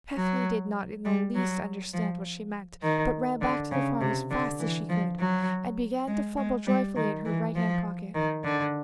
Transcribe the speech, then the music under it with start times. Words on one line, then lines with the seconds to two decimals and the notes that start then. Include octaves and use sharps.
Tephany did not in the least understand what she meant, but ran back to the farm as fast as she could, and began to fumble joyfully in her right-hand pocket.
0.17 F#3
1.05 G3
1.35 F#3
1.94 F3
2.83 D#3
3.41 D3
3.71 C#3
4.01 C3
4.31 D3
4.59 E3
4.89 F3
5.19 F#3
6.07 G#3
6.37 G#3
6.67 G3
6.96 D#3
7.25 E3
7.55 F3
8.14 D#3
8.44 D3